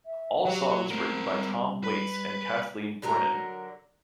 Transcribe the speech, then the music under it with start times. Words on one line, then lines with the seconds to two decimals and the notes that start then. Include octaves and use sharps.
All songs written by Tom Waits and Kathleen Brennan.
0.05 E5
0.45 F#3 G4
0.90 A3 C4 A#4
1.26 G3
1.84 B4
3.02 D3 F#3 A#4 A#5